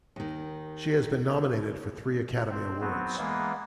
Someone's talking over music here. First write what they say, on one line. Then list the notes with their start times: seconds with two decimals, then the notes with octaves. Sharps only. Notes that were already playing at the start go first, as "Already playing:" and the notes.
She has been nominated for three Academy Awards.
0.16 D#2 D#3
2.51 C4
2.81 F#3 B3 C4
3.18 E3 G#3 A#3 B3